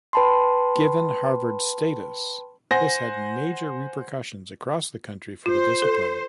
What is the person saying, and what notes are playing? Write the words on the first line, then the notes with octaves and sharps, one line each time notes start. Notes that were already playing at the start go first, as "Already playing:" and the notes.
Given Harvard's status, this had major repercussions across the country for the discipline.
B4 G5 A5 B5 C6
C5 F#5 G#5 A#6
F4 C5
A4